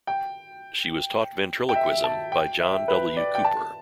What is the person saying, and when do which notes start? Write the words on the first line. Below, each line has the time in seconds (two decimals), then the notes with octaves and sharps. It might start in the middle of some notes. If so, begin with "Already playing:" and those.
She was taught ventriloquism by John W. Cooper.
0.07 G5
1.69 G5
1.75 E5
2.04 A5
2.32 G5
2.60 E5
2.88 B4
3.17 D5
3.35 G5
3.45 A5